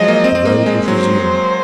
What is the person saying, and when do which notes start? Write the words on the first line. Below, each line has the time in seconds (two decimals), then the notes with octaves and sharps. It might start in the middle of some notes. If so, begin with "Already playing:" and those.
The road was resumed.
Already playing: F3 F#3 G#3 D#5
0.08 A#3
0.24 C4
0.35 C4
0.45 A#3
0.66 G#3
0.88 F#3 C5